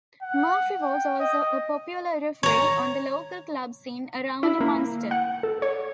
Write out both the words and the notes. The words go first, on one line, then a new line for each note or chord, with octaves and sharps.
Murphy was also a popular referee on the local club scene around Munster.
F#5
G5
D#5
C#5 A#5
E4
A#3
F#5
A4
C#5